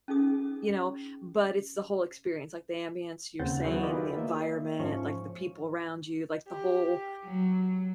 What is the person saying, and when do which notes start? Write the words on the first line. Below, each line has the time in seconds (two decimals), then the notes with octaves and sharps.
you know, but it's the whole experience, like the ambiance you're saying and the environment, like, the people around you, like, the whole
0.08 C#4 D#4 G#4 D#6
3.39 D#2 C#3 C4 F#5 G6 A6
3.64 F#3 B3 E4 F#4 G#4 C#5
3.83 F4 G4 G#4 B4 D5 D#5
4.17 A#3 E5
4.80 G#2 F3 C#4 C5 C#6
6.47 G4
7.24 F#3